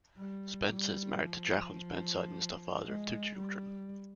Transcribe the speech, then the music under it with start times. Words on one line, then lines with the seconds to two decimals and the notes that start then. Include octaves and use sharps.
Spencer is married to Jacklyn Spencer and is the father of two children.
0.17 G3
0.70 G3
1.24 F3
2.83 G#3
3.36 G3